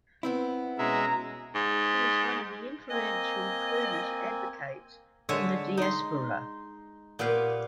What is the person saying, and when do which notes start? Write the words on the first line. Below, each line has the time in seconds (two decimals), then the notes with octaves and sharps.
He is one of the influential Kurdish advocates in the Diaspora.
0.23 B3 C4 E4
0.78 B2 G#3 C#4 E5 A#5
1.55 G#2
2.90 A#3 C4 D#5 G#5
5.29 D3 G#3 C#5 E5
5.77 D#4 C6
7.19 A#2 B3 G4 F5